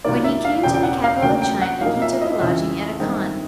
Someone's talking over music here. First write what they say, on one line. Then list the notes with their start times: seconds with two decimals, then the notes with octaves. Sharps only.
When he came to the capital of China, he took a lodging at a khan.
0.04 C#2 C3 D#3 F#3 A#3 D5
0.24 E5
0.45 F5
0.63 E1 E2 C#3 G5
0.74 G5
0.83 F#5
1.04 F5
1.22 D2 C#3 F#3 A#3 G5
1.42 G5
1.62 F#5
1.81 B1 A#2 F3 A#3 D#4 F5
2.02 E5
2.22 D#5
2.40 F2 C#3 E3 E5
3.00 G2 D#3 G#3 C4 D#4